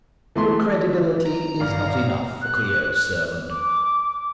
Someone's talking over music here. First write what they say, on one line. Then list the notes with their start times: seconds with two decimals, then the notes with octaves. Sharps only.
But credibility is not enough for Clio's servant.
0.36 E3 A3 C6
1.26 A#5
1.60 A1 G2 D5 F5
2.42 F#6
3.50 D6